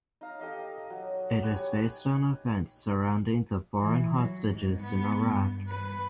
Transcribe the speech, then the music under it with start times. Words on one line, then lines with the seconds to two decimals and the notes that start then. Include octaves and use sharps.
It is based on events surrounding the foreign hostages in Iraq.
0.21 D#4 F5 A#5
0.39 G4 A4 D#5 F5
0.90 F#3
1.42 G4 B4 C#5 G#5
3.79 E3
4.14 F#3
4.43 G#2
4.82 B3
5.24 G2
5.69 B4